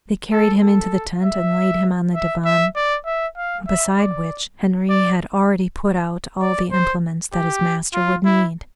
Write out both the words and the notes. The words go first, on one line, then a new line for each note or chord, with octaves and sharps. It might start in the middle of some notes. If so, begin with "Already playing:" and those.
They carried him into the tent and laid him on the divan, beside which Henri had already put out all the implements that his master would need.
A4
A4
E5
E5
E5
D5
E5
F5
E5
D5
D5
D5
C5
G4
F4
E4